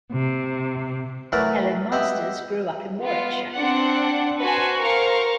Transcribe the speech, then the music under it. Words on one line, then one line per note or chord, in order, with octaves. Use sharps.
Helen Masters grew up in Warwickshire.
C3
E3 F#3 A3 A#4 B4 D5
B3 G4 D#5 E5 B5
B3 F4
C4 D4 F#5
F#4 B4 C5 G#5 A5 C6
A#4 C5 F5 A#5 C#6